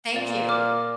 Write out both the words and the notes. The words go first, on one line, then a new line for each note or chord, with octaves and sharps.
thank you.
A#2 D5
D6 F6